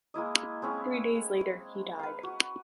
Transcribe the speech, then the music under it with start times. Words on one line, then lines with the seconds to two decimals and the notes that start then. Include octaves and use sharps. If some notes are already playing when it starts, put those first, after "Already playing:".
Three days later, he died.
0.14 G#3 A#3 E4 D#5
0.62 G#3 C4 C#4 E4
1.99 B4 F5
2.23 F#4